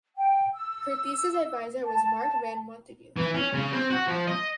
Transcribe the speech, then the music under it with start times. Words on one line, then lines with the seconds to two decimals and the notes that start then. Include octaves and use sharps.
Her thesis advisor was Marc Van Montagu.
0.16 G5
0.54 E6
1.83 A5
3.17 E3
3.34 C#4
3.54 C#3
3.73 C4
3.90 F#4
4.08 F3
4.28 D#5